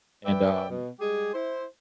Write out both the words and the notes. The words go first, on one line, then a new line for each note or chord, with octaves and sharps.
And, um
B4 D5 E5 G5
B2
G3 G#3 G4 G#4
E4 C5